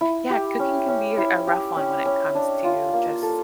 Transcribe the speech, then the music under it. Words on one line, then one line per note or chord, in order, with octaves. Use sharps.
yeah, cooking can be a rough one when it comes to just,
E4
G4
C#4
C#4
E4
G4
C#4
C#4
D4
F4
A#3
A4